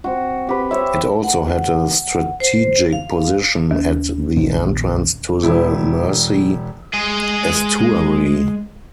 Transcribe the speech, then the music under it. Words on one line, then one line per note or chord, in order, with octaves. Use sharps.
It also had a strategic position at the entrance to the Mersey Estuary.
C4 F#4
C4 G4 B4
C4 C#5 E5
F#5
C5
F5
D#2
A#1 D#3 B3
E1 E4
G#3 G#4